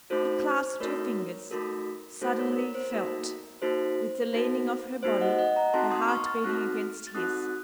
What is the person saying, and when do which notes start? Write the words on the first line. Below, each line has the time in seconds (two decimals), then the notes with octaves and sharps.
He clasped her fingers--suddenly felt, with the leaning of her body, her heart beating against his.
0.10 A3 D#4 F#4 A4 C5
0.80 A3 D#4 F#4 A4 A#4 C#5
1.51 A3 D#4 F#4 A4 A#4
2.21 A3 D#4 F#4 A4 C5
2.39 A#4 C#5
2.56 A#4
2.75 C5
2.91 A#3 D#4 F#4 A4 A#4
3.62 A#3 D#4 F#4 A4 C5
4.33 A#3 D#4 F#4 A4
5.03 A#3 D#4 F#4 A4 C5
5.21 D#5 F#5
5.38 D#5 F#5
5.56 F#5 A#5
5.73 C4 D#4 F#4 A4 A5 C6
5.91 C6 D#6
6.08 C#6 F6
6.26 F6 A6
6.44 C4 D#4 F#4 A4
7.07 A6
7.15 C4 D#4 F#4 A4 D#6 F#6